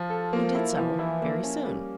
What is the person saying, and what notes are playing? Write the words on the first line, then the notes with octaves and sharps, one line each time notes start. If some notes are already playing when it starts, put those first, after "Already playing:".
He did so, very soon.
Already playing: F3 F4
A4
F3 A#3
E4
E3 F3
E4
A#3
C#4
G3